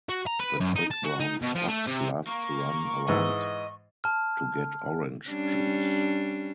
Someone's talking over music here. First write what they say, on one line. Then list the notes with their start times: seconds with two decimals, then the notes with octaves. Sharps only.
The quick brown fox loves to run around to get orange juice.
0.09 F#4
0.27 A#5
0.40 B4
0.60 F#2
0.76 D#4
0.91 A5
1.05 F#4
1.20 D#4
1.42 B2
1.55 F3
1.68 A3
1.87 C3
2.27 A#3 C#6
3.09 G#2 E3 D#5
4.04 A5 F6
5.29 G3 C#4 D4